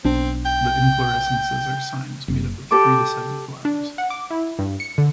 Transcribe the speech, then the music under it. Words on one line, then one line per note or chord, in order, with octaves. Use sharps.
The inflorescences are cymes made up of three to seven flowers.
B1 C4 D4
G5
F#1
G4 A4 D6
D4
F#5
D6
E4
G2
C#7
D3